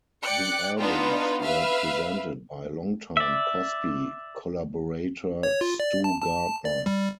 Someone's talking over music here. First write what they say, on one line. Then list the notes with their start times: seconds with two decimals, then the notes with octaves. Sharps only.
The albums were presented by longtime Cosby collaborator Stu Gardner.
0.23 D5 G5 F#6 C#7
0.79 B3 D4 D#4 F4 B4
1.44 B4 E5 F5
3.17 D5 E5
5.43 C#5
5.61 F4
5.80 D5
6.04 A5
6.21 A5
6.65 D5
6.86 G3